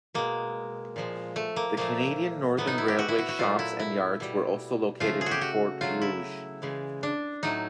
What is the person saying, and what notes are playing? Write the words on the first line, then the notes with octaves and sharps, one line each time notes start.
The Canadian Northern Railway shops and yards were also located in Fort Rouge.
B2 G#3 A#3
A#2 F3 G#3
A3
A#3
A#2 F3 A3 A#3
A2 F#3 A3 B3
D#4
E4
G4
F#4
E4
F#4
F#4
A#2 F#3 A3 F4
E4
E4
B2 G3
C#3 F3 A3 F4
G#4
F#4
G4
F#4
C#3 F#3 A3 F4
E4
C#3 E3 G#3
D4
A2 F#3 A3 D#4